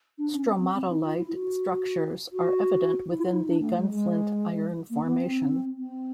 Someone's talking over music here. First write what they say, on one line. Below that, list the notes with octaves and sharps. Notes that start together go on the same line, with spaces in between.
Stromatolite structures are evident within the Gunflint Iron Formation.
D4
C#4
C4
C4
C4
D#4
F4
E4
F#4
F#4
E4
F4
D#4
D4
A3
G#3
G#3
A#3
B3
C4
C4